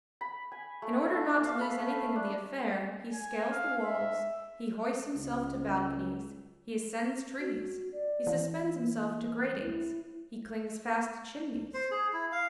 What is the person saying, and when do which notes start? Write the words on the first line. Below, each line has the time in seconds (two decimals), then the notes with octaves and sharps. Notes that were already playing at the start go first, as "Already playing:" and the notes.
In order not to lose anything of the affair, he scales the walls, he hoists himself to balconies, he ascends trees, he suspends himself to gratings, he clings fast to chimneys.
0.21 B5
0.52 G#5
0.82 A3
1.13 A4
1.45 F5
1.61 B5
1.80 A3
2.16 D4
3.13 G#5
3.51 F5
3.83 E5
5.15 C#2
7.39 F#4
7.92 D5
8.27 E3
8.73 A#3
9.61 E4
11.74 C5
11.91 G#4
12.13 E4
12.32 F5